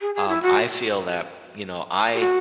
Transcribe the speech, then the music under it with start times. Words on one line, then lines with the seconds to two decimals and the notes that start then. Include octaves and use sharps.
Um, I feel that, you know, I
0.01 G#4
0.15 G#4
0.28 E4
0.42 F#4
2.14 G#4
2.19 F#4